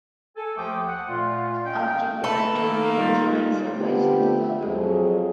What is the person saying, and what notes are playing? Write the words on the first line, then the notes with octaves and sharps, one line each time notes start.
A preparatory drawing survives in the Louvre.
A4 G#5
D#2 F3 A3 G5 D6 D#6
F#5
A#2 A3 F4
C#4 D#5 F5 G5
A4 B4
D#3 A#3
G3 D#4 F4
D3 B3 C4 D4 F4 G4
F2 F#3 G#4